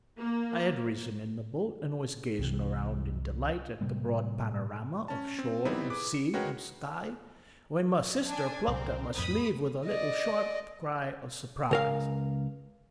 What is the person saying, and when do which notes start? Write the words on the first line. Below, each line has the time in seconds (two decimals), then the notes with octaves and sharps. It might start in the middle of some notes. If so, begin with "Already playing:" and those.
I had risen in the boat, and was gazing round in delight at the broad panorama of shore and sea and sky, when my sister plucked at my sleeve with a little, sharp cry of surprise.
0.19 A#3
2.39 C2 C3 E3
3.81 A2 C3 G3 A#3
5.08 C#4 A5
5.39 C4
5.65 G3 B3 C4 D#4 E4
5.90 G#4 B4 D6
6.14 C#7
6.34 G#3 F#4 A#4 B4 C#5 G5
8.28 D4 G#5
8.68 C2 A#2 F#3 C4 A#4 C5
9.18 F2 A2 B5 D#6
9.85 D5 D#5
11.71 C#2 A#4 F5